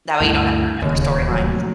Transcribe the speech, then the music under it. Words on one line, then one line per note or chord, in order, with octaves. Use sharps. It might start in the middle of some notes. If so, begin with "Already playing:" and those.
that way you don't have to remember storylines.
D2 G2 E4
D1 D#2 C#3 C#5
F1 F3 F#3